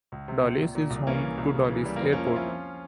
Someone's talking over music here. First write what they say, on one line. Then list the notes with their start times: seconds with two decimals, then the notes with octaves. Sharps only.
Dolise is home to Dolisie Airport.
0.12 C#2
0.28 C3
0.44 C#2
0.60 A#2
0.75 A#2
0.90 C2
1.07 E3 A#3 C#4
1.22 E3
1.38 C2
1.54 C#3
1.69 E3
1.85 G3
1.96 A#3
2.00 F2 C4
2.12 F3 A#3 C#4
2.25 C4 E4
2.33 F3 C#4 F4
2.48 F3